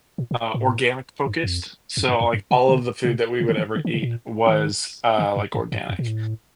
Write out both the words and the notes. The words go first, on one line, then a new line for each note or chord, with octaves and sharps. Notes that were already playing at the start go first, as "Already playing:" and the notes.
uh, organic-focused, so, like, all of the food that we would ever eat was, uh, like, organic.
A#2
A#2
A2
G2
F2
F2
G2
F2
G2
C3
D3
C3
C3
D3
D#3
D3
D#3
C3
A#2
D#3
D3
G2
G2
G2
F2
A#2
A2